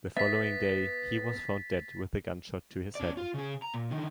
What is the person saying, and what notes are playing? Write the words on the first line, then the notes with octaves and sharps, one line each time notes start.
The following day he was found dead with a gunshot to his head.
B3 E5 A6 B6
C#4 D5
F4
C#3 G#4
A#5
A#2
D3 D#3